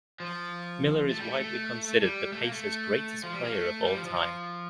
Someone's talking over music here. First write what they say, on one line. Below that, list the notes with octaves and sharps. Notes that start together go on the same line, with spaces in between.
Miller is widely considered the Pacers' greatest player of all time.
F3
A3
G3
A3
A3
G3
A3
A#3
A3
F3
G3
A#3
A3
G3
F3
F3
F3